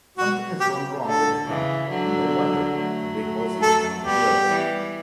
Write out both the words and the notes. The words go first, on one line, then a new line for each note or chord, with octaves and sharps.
"Something has gone wrong with the car, and no wonder--the way Halsey went down the hill."
B2 F#4
G4
D3 A4
C#3 E3
D3 F#3
F#3 A3
A4
G3 B3 G4
E3 G3